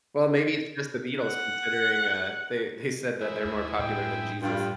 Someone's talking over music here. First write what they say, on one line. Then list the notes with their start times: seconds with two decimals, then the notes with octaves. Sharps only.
Well, maybe it's just the Beatles considering, uh, they they said that they're more popular than Jesus.
1.23 F#5
3.21 G#3 E4
3.45 D#2
3.79 A2 G5
4.42 G2 F4 G5